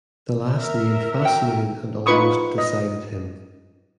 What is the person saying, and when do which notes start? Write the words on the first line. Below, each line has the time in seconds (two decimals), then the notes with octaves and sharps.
The last name fascinated and almost decided him.
0.57 A#4 E5
1.22 F#4 G5
2.06 D#4 F4 B4 B5 C#6 D#6
2.58 D#5